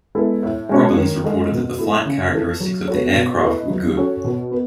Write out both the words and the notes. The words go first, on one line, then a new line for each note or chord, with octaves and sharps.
Robbins reported that the flight characteristics of the aircraft were good.
G#3 B3 E4 A4
A2
G#3 C#4 F#4 C#5
D#3
G#3 D#4 A4 D#5
B2
A3 E4
C#3
E3 A3
F#3
B3 F#4 A4 C#5
B2
A3 E4 B4 D#5
F#3
C#4 F#4 A4 C#5
B2
B3